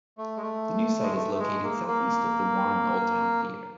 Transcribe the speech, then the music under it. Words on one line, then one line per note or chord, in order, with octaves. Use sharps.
The new site is located southeast of the Warren Old Town Theater.
A3
G#3
A3
G#3
A3
A3
G#3
A#3
A#3